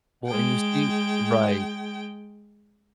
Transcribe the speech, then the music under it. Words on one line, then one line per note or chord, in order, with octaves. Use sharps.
Well, and you see right.
G#3 G5